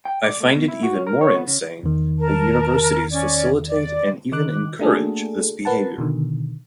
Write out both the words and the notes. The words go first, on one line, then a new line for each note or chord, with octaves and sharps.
I find it even more insane that universities facilitate and even encourage this behaviour.
G5
D5
A3
B2
E4
F#4
C#4
A#4
C#5
B3
C#3
E2 D#3
A#4 A5
C#4 D5
D5
D#3 D#4 D6 F#6
A3 A#3 D4 F#4 G#4 A4
A#4 B4 F#5 A5
B2 D3 D#3